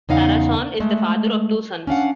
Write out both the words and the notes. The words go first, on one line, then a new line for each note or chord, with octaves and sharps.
Sarasohn is the father of two sons.
E2 C#3 D#4 F5 F#5
G#3 A3
C#4 D4 F5 F#5